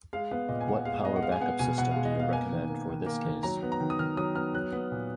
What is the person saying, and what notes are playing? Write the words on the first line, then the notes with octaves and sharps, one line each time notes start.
What power backup system do you recommend for this case?
G#3 F5
B3 F5
A#2 D#5
G#5
A#2 F#5
G#3 F5
B3 D#5
F#5
G#3 F5
G#5
B3 F#5
B2 G#5
B2 F#5
F5
G#3
D#5
B3 F5
A#3 G#5
D#3
A#3
D#3
A#3
D#3
F#3 A#5
B3
A#5
D#3
D#6
D#3 F6
F#3 D#6
B3 F6
F#3 F#6
B3
A#2